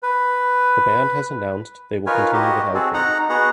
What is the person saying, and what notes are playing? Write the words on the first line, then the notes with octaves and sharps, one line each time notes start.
The band has announced they will continue without him.
B4
D#4 F4 A#4 B4 C#5 G#5
F#4 G4 D#5
C4 F#4 G#4 A4
D#4 F#5 A#5
B3 F#4 G#4 F#5 A#5